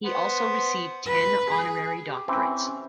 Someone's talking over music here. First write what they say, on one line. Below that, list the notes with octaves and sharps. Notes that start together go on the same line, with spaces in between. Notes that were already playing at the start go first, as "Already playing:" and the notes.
He also received ten honorary doctorates.
B3 C5 F#5
B4
G#4
G4
E3 C4 C#4